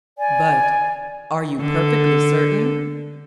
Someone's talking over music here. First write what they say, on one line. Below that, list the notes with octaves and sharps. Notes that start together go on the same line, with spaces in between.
"But are you perfectly certain?"
D5 G#5
D3 A4